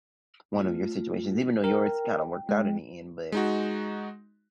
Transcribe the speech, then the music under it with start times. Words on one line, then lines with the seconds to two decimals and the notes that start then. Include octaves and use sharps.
one of your situations, even though yours kinda worked out in the end, but,
0.55 A3 F4
1.64 A#4 G5
2.49 G#3
3.32 G#3 D#4 F#4